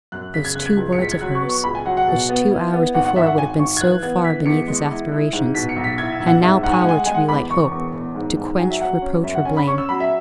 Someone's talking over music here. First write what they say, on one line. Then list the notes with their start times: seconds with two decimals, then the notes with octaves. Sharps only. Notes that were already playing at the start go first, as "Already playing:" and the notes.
Those two words of hers, which two hours before would have been so far beneath his aspirations, had now power to re-light hope, to quench reproach or blame.
0.12 F#2 F#6
0.34 C#3 B6
0.45 G#6
0.55 C#3 F#6
0.66 G#6
0.77 C#2
0.92 C#7
0.99 C#2 B6
1.11 G#6
1.21 F#3 F#6
1.35 C#6
1.42 B3
1.49 C#6
1.64 C#2 B5
1.75 G#5
1.86 F#3 F#5
1.97 F#5
2.07 B2
2.29 B3
2.51 E4
2.73 B3
2.94 G#1 F#5
3.05 F#5
3.16 G#1 E5
3.27 F#5
3.38 G#1 G#5
3.59 G#1 C#6
3.77 G#6
3.81 E3 F#6
4.03 B3 G#6
4.25 E3 B6
4.46 E2 C#7
4.68 G#3
4.90 E4
5.12 E4
5.33 G#2
5.55 B2 B6
5.69 C#7
5.76 B1
5.84 B6
5.98 E4 G#6
6.13 E6
6.20 B1
6.27 F#5
6.41 G#2 E5
6.63 G#2 F#5
6.72 G#5
6.81 F#5
6.85 G#3 G#5
6.97 F#5
7.06 G#3 G#5
7.14 F#5
7.28 E2 B5
7.50 E1 C#6
7.71 E2
7.93 E1
8.15 G#2
8.37 G#2
8.59 F#3 G#5
8.70 E5
8.80 F#3 F#5
9.02 C#4
9.24 F#2 E5
9.35 F#5
9.45 C#4 G#5
9.57 B5
9.67 C#4 C#6
9.78 E6
9.89 F#3 B5
10.00 E5